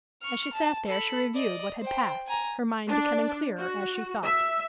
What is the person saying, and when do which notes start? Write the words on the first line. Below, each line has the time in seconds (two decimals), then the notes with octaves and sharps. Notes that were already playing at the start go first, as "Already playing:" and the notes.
As she sat there she reviewed what had passed, her mind becoming clearer as she thought.
0.22 C#6 F6
0.54 A5
0.87 A4 B5
1.35 D5 D#5
1.81 C5 G5
2.27 G#5 A#5
2.88 D4
3.59 F#4
4.24 E5